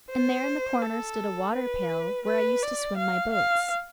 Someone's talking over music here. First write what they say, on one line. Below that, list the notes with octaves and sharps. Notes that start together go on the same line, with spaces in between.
'And there in the corner stood a waterpail, where I used to swim my boats.'
C5
A4
B4
B4
D5
F5
F5